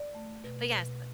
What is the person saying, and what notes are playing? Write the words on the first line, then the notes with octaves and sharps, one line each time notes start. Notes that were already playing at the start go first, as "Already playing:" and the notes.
But yes. Uh.
Already playing: D5
A3
B2
B2